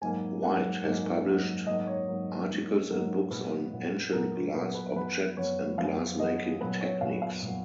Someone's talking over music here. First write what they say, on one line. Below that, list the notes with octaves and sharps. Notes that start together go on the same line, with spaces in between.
Wight has published articles and books on ancient glass objects and glass making techniques.
G#2 F#3 A#3 G#5
G#2 F#3 A#3 F#5
G#2 F#3 A#3
G#2 F#3 A#3
G#2 F#3 A#3 D#5
C#5
G#2 F#3 A#3
G#2 F#3 A#3
G#2 F#3 A#3 A#4
A#2 F#3 B3 B4
A#2 F#3 B3
A#2 F#3 B3 A#4
A#2 F#3 B3 B4
B4
F#2 F3 B3 B4
F#2 F3 B3 C#5
F#2 F3 B3 F5
F#2 F3 B3 D#5
A#2 F#3 B3 B4
C#5
A#2 F#3 B3 F5
F5
A#2 F#3 B3